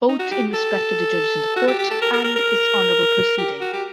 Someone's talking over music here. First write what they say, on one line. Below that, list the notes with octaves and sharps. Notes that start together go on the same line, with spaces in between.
Both in respect of the judges in the court and its honourable proceeding.
D#4
F#4
G4
A4
F#4
G4
G4
A4
A#4
A#4
A#4
A#4
G4
F#4
G4